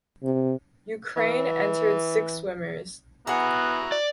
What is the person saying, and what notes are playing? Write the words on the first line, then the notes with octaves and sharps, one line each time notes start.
Ukraine entered six swimmers.
C3
E3
B3 E4 F#4 G#4 F#5 A#5
D5